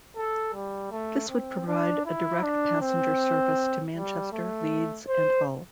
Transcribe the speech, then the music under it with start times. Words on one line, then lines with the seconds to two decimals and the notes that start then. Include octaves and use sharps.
This would provide a direct passenger service to Manchester, Leeds and Hull.
0.17 A4
0.54 G3
0.91 A3
1.29 C4
1.67 D4
2.06 E4
2.42 D4
2.81 C4
3.94 G3
4.32 A3
5.08 C5